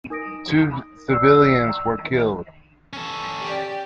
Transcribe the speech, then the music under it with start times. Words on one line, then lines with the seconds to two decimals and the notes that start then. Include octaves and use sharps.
Two civilians were killed.
0.10 D#4 A#4 D#6 A#6 D7
1.10 D5 E6 C7
2.93 C#4 A4
3.42 G4 D5